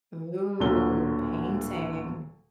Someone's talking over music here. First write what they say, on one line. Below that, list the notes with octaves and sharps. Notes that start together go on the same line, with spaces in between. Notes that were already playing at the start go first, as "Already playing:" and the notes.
Ooh, painting.
D1 D2 A#2 D3 F#3 G7